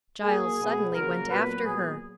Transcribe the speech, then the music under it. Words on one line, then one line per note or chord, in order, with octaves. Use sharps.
Giles suddenly went after her.
G#2 F#3 A#3 G#4
B2 G#3 B3
C#3 F#3 A#3 A#4
A#2 F#3 B3 B4
A#2 F#3 B3 G#4